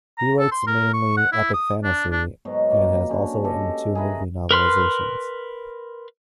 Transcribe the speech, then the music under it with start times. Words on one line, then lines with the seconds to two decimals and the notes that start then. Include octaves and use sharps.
He writes mainly epic fantasy, and has also written two movie novelizations.
0.18 A#5
0.39 A4
0.51 C6
0.67 A#4
0.93 C#6
1.17 F#5
1.32 E4
1.54 D#6
1.84 D4
2.12 D4
2.45 G#2 B2 D#3 F#3
2.71 A#3
3.09 D3 C#4
3.44 G4 A4 D#5
3.95 G#4 A#4 B4 E5
4.51 A#4 B4 C6 F6